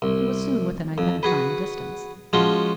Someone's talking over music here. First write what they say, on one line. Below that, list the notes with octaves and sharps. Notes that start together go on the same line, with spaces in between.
He was soon within identifying distance.
C2
F2
F#4 G#4 B4
F3 G#3 C#4 F4 F#4